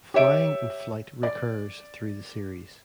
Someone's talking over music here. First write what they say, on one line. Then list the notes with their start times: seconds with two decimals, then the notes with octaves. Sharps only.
Flying and flight recurs through the series.
0.14 G4 C#5 E5 D7
1.23 D5